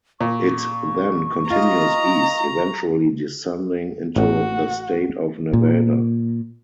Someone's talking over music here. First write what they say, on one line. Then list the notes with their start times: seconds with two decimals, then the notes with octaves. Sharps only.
It then continues east, eventually descending into the state of Nevada.
0.21 A#2 C#6
1.50 F4 D#5 A#5
4.16 A1 F#4
5.53 A#2